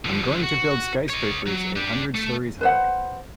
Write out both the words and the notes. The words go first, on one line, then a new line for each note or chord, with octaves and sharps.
I'm going to build skyscrapers a hundred stories high.
D3 F3
F#4
C#5 D#5
F#3
D4 G4
A3
B4 C5 F#5